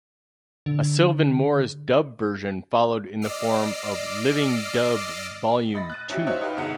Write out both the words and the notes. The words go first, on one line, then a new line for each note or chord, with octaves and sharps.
A Sylvan Morris dub version followed in the form of "Living Dub Volume Two".
D3
D5 D#5 D6 E6 F6 C7
D#5 B5 A6 A#6
F#6 A6 D#7
C#4 D#4 E4 F#4 G4
F4 F#4 C5 C#5 D#5 E5
D#4 G4 B4 F5
G1 B2 G#3 D#4 F#5